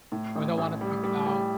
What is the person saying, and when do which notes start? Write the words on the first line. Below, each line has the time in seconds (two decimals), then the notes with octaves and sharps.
or they'll wanna talk about
0.12 A2
0.36 A1
0.58 A1
0.81 G3
1.04 G3
1.26 G3